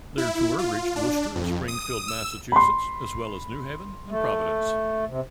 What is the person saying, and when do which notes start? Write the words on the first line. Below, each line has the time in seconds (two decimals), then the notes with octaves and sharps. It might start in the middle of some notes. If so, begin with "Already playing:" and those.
Their tour reached Worcester and Springfield, Massachusetts, as well as New Haven and Providence.
0.18 E4
0.58 F4
0.96 D4
1.35 F2
1.68 D#6
2.08 E6
2.52 B5 C6
4.10 A3
5.08 C3